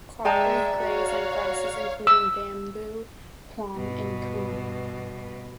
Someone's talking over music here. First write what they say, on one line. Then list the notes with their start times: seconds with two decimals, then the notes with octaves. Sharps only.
Kouprey graze on grasses, including bamboo, ploong, and koom.
0.25 G#3 G#4 D5 E5 G5 A5 A#5
0.78 F#4 C#5 F5
2.07 E6
3.76 G2 B2